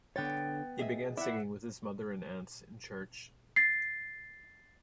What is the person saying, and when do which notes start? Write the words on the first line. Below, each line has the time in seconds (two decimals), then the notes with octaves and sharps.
He began singing with his mother and aunts in church.
0.16 D3 B3 C#5 G5 A6
0.79 G#4 D#5 E5
1.17 E4 D5 E5 F#5
3.56 A6 C7